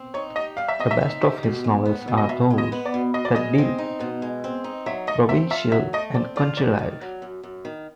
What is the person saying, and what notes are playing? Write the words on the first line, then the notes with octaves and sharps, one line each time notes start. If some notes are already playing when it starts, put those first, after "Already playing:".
The best of his novels are those that deal with provincial and country life.
Already playing: C4
D#4 C#5
G4 D#5
G3 F5
E5
C4 D#5
E5
D#4
G4
B2
G#3
B3
B2
D#5
B2 E5
G#3
D#5
B3
D5
B2
B2 D#5
D5
G#3 D#5
C4
D#4
B2
G#3
C4
D#4
F#3 E5
A3 D#5
C4 E5
F4 E5
F#3 E5
A3 D#5
C4 D5
F4 D5
F#2 D5
D#3
F#3
F#2
F#2
D#3